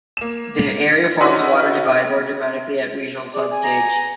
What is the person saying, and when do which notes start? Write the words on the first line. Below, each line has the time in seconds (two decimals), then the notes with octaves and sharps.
The area forms a water divide, more dramatically at regional flood stage.
0.17 A#3 E7
1.20 C#4 D#4 E4 F#4 B4 D#5
3.34 G#4 D5
3.51 G#5
3.64 A#5